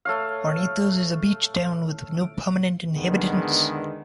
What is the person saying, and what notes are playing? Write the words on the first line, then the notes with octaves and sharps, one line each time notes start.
Hornitos is a beach town with no permanent inhabitants.
A3 C#5 F5
E2 D3 D#3 G#3 B3